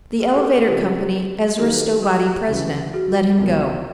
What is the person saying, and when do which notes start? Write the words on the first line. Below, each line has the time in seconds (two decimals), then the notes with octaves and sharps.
The elevator company, Ezra Stowbody president, let him go.
0.22 G#4 A#4
0.34 G4 A4
0.45 G#4 A#4
0.56 G#4 A#4
0.68 C#3 F3 G#3 C4 G4 A4
1.58 D#3 F#3 A#3 D#4 G4 A4
1.73 A4 B4
2.03 G4 A4
2.48 D2 C#3 E3
2.94 F#4 G#4
3.38 C2 B2 F#3 A#3